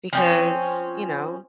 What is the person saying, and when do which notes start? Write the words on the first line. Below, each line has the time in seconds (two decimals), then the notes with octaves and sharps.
because, you know
0.13 F3 C4 C#4